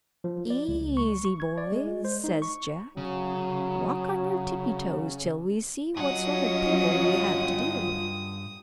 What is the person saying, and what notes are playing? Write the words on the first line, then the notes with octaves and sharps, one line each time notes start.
"Easy, boys!" says Jack; "walk on your tippy toes till we see what sort of people we have to deal with."
F3
D5
C#2
C#6
C#6
G#6
D5
G#3
C5
D#4
C#6
C#3 F#3
G2 F#3 C#4 F4 D#5 F#5 D#6